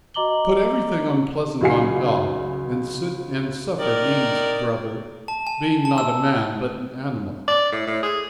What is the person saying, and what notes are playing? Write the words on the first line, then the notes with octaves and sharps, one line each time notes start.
To put everything unpleasant on God, and sit and suffer, means, brother, being not a man but an animal.
F#4 D#5 A#5 D6 F#7 G7
C#2 D#3 F#3 F5 G#5 C7
D#3 A#4 D5
A5
G#5
A5
E6
D5
A2
A2
G#4